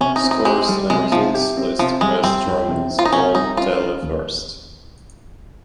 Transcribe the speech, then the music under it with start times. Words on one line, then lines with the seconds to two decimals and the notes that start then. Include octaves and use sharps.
Scores and results list West Germany's goal tally first.
0.01 C3 C#4
0.16 D#4
0.23 C4
0.31 D#4
0.45 G#3 G4
0.68 G3
0.90 C3 G#3
1.12 C3 F3
1.35 G4
1.57 C4
1.79 C3 F3
2.01 G3 G#3
2.23 G3 C4
2.46 F2
2.69 C3
2.90 C4
2.99 F4
3.05 D#4
3.13 C3 C#4
3.35 G3 D#4
3.57 C#4 F4
3.80 C#4
4.02 D#2